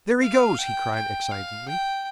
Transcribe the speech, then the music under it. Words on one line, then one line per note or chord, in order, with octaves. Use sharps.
"There he goes!" he cried excitedly.
F5
G5
G5
F5
G5